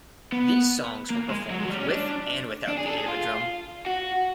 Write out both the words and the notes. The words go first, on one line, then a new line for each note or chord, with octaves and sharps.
These songs were performed with and without the aid of a drum.
B3
A#3
G#3
F#3
G#3
F#3
G3
C#4
D4
D4
G#4
A4
G#4
F4
F#4